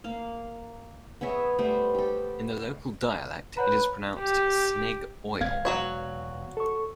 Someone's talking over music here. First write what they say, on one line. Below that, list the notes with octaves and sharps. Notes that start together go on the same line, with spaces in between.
In the local dialect it is pronounced 'snig oil'.
A#3 F5
B3 G#4 C#5 E5
G3 A3 B3 C5
G4 A4
B4 C#5 F#5 A#5
G4
E1 B3 F5 G#6
F#3 F#4 C#5
A4 C#6